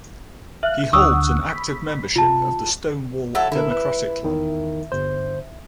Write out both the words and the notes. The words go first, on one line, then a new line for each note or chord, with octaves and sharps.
He holds an active membership of the Stonewall Democratic Club.
E5 F5 F#6
D2 D3 F#5 C#6 D#6 E6
B5
C3 F4 A5
F#3 E4 A4
D3 E4 A#4
B4
E2 D#3
G1 C5